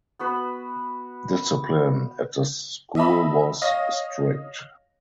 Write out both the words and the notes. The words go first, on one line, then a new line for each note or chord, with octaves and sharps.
Discipline at the school was strict.
B3 F#4 B4
D#5 E5 A5 B5
C#5 D#5 F5 A#6